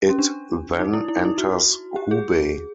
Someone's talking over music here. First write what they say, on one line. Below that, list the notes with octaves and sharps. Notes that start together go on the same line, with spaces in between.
It then enters Hubei.
C#4
D4
D#4
E4
E4
D#4
E4
F#4
G4
G#4